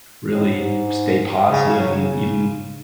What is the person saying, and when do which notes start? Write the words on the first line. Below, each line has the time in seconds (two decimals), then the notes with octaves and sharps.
really stay positive and even,
0.29 A2
0.52 G#2
1.48 C#3
1.78 F#3
1.95 C#3